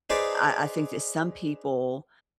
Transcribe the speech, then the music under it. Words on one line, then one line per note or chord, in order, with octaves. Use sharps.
I I think that some people
D#4 G#4 B4 C5 D5